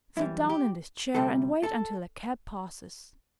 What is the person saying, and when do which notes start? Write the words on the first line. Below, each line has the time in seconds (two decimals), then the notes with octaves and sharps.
Sit down in this chair and wait until a cab passes.
0.17 F#2 E3 G3 E4
0.49 G4
1.14 D2 C3 G3 A4
1.63 A4